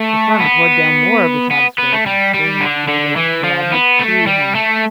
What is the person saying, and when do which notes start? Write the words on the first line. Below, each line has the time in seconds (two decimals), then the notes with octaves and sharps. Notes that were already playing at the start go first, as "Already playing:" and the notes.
The sun poured down more of his hottest rays and soon the monkey was able to pull out his two hands.
Already playing: A3
0.40 B3
1.51 B3
1.78 B3
1.92 A3
2.06 G3
2.34 G3
2.61 D3
2.88 D3
3.17 E3
3.44 F3
3.72 B3
3.99 A3
4.27 G3
4.55 A3